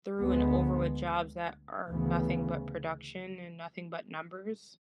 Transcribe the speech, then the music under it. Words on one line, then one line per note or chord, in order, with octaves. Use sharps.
through and over with jobs that are nothing but production, and nothing but numbers.
D2 D3 G#3 B3
D2 C#3 E3 B3